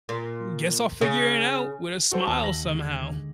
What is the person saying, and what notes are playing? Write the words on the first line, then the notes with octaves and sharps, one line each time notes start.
guess I'll figure it out with a smile somehow."
A#2
C#3
F#4 A4 C5 F#5 G5 C#6
D#2 A5 E6
A#6 F#7
D3 G#3
D6 G#6